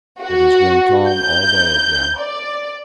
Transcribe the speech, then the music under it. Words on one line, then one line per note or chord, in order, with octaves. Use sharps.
It has been calm all day again.
F#4
G6
D5